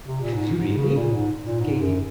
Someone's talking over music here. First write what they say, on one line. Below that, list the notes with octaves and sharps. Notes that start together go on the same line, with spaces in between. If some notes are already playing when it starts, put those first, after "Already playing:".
"Have you, really?" said Katy.
C3
A#2
G#2
G#2
C#3
A#2
G#2
A#2
G#2
F#2